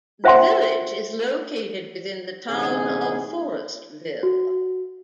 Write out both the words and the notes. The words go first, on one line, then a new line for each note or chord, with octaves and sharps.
The village is located within the Town of Forestville.
F4 C5 E5 F#5 G5 C6
A1 D2 C3 C#4 D#4 G#4
F#4